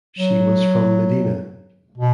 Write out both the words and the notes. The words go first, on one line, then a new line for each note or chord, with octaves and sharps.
She was from Medina.
F#3
B2